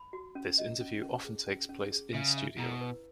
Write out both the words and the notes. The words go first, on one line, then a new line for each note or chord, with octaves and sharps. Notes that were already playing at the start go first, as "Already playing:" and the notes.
This interview often takes place in studio.
Already playing: B5
F#4
C#4
D#5
C#4
C#4
G#4
C#4
C#4
G#4
C#3 E5
E5
B2 E4
B4